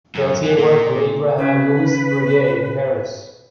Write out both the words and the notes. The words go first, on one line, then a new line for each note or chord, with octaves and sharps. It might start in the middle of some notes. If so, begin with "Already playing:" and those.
Peltier worked with Abraham Louis Breguet in Paris.
F#2
E3
A#2
C#3 B4